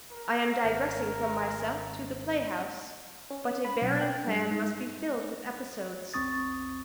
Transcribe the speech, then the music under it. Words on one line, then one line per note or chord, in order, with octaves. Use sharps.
I am digressing from myself to the play-house; but a barren plan must be filled with episodes.
A#4
G#1
C#4
B5
B1
G5
G2
G#2
A#1 E2 C4 C#6 D#6 A6